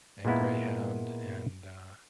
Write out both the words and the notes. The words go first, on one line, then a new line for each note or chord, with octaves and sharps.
and Greyhound and, uh,
A#2 G#3 A#3 B3 E4